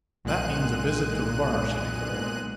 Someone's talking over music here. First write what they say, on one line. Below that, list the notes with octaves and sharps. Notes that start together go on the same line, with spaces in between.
"That means a visit to the bar!" she declared.
B1 A#2 G#3 F#6 D#7